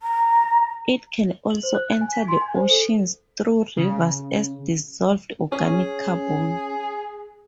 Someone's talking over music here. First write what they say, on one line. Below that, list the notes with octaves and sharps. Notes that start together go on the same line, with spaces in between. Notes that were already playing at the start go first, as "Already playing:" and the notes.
It can also enter the oceans through rivers as dissolved organic carbon.
A#5
F#7
C5
F#6
G#5
B6
C6
G#5
C5
A4
C#3
C#4 G#4